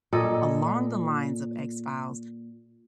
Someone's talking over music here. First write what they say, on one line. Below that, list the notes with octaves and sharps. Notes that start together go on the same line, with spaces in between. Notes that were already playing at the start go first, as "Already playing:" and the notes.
along the lines of X-Files.
A#2 A4 D#5